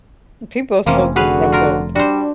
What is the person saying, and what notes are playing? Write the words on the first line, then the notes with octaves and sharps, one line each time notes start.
People are so disgruntled.
F1 E3 F3 A#3 C4 C#4
D3 F#4 G#4 B4 F5
F4 A#4
G3 D4 F#4 C5